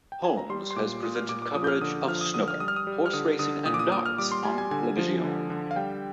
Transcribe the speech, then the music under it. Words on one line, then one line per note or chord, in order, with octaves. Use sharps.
Holmes has presented coverage of snooker, horse racing and darts on television.
G5
G#5
A#5
G3 C6
C6
A#2 D6
A#2 D#6
F6
A#2 D6
D6
F3 D#6
G6
F6
D3 D#6
F3 F6
D#6
D3 D#6
F6
G3 D#6
F6
D#6
G3
F6
D3 D#6
D3 D#6
A#2 D#6
D6
D#6
A#2 D#6
F6
G3 D6
C6
G3 G#5
G#5
D3 G#5
F3
D3
D3
F5
G3 G5